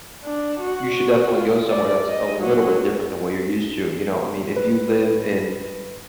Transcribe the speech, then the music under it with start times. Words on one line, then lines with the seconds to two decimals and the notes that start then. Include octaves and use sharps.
you should definitely go somewhere that's a little bit different than where you're used to, you know? I mean, if you live in
0.23 D4
0.60 F#4
0.96 F#4
1.36 F4
1.68 D5
2.08 D#5
2.39 F#3
4.57 B4